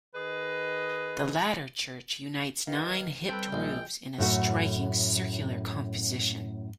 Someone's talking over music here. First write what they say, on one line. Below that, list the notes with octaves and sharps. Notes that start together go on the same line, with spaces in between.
The latter church unites nine hipped roofs in a striking circular composition.
D#3 G#4 B4 D#5
D#3 G4 B4 F5
G3 C4 A4 B4 G5
A#1 G#3
F#2 A2 A3 F#4